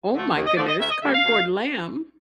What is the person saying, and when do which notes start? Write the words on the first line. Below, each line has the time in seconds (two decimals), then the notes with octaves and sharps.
Oh my goodness, Cardboard Lamb?
0.13 D3 F3 A3
0.35 D#2
0.47 D#5
0.57 D3 F3 A3 D5
0.68 D#5
0.79 D2 E5
0.90 D#5
1.02 D3 G3 A#3 E5
1.14 F5
1.24 D2